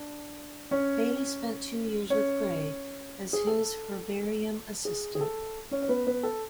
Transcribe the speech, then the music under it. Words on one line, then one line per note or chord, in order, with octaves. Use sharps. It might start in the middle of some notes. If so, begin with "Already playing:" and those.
Bailey spent two years with Gray as his herbarium assistant.
Already playing: D4
C#4 C#5
C#4 C#5
G#4
A4
G#4
G#4
A4
C#4 C#5
C#5
B3 B4
B3 B4
A4